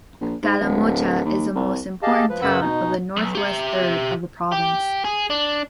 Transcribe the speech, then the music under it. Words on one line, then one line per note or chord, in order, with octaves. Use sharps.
Calamocha is the most important town of the Northwest third of the province.
A#1
G#2
D1
D#2
C2
G4 G#4 D#5 F5 A5
F3 B4
F#2 C#3 B4 F#5 B5 E6
B2 D#4
B1
G4 E5
G4
G#4
D4